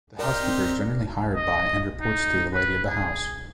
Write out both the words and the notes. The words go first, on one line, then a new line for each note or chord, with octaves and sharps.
The housekeeper is generally hired by and reports to the lady of the house.
D#4 G4 A#4 D5 C6
C4
D#5
D#4
B4
G#4